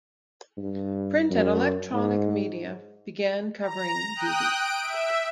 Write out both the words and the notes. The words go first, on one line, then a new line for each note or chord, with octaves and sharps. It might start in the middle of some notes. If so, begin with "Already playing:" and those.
Print and electronic media began covering Didi.
G2
F#2
G#2
A#5
G5 D#6 F#6
D7
E5